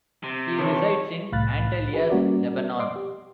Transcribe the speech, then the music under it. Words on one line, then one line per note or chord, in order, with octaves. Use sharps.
He resides in Antelias, Lebanon.
C3
D#3 E3 C#5 A5 C#6
C2 A2 F5 B5 F#6 A6
F#4 G#4 B4
G3 A#3 C#4 F#4 A#4 D5
D5 D#5 C6 D6
G4